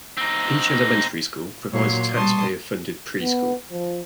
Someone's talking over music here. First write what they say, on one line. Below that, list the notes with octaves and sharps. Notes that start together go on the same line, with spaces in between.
Each elementary school provides a taxpayer funded preschool.
C4 D#4
A#2 F#3 C#5 C6
B2 G3 A5 C6 C#6 D#6
B3
F3